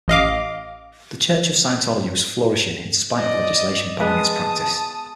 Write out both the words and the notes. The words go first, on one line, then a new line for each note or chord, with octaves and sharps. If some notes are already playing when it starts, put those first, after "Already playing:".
The Church of Scientology was flourishing in spite of the legislation banning its practice.
A1 D#5 F5 D6
D5 D#5
G#3 B3 B4 A5 D#6